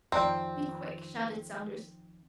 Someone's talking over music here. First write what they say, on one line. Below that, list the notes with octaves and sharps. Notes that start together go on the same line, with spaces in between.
"Be quick!" shouted Saunders.
F2 D#3 C4 D5 A#5